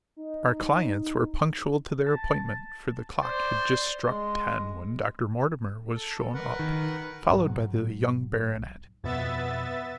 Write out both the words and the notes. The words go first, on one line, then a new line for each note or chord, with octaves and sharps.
Our clients were punctual to their appointment, for the clock had just struck ten when Dr. Mortimer was shown up, followed by the young baronet.
D#4
A5
C5 D5
G#3
A4
A#4 B4 F#5
D#3
B1 G#2 F#3
F2 B2 B3 E5 A6